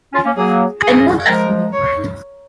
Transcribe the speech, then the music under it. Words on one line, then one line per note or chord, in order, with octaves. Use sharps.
I know that woman.
C#4 F4
A#3 C#4
F#3 A#3 G#4
G#4
F3 G#3 A#4
C#5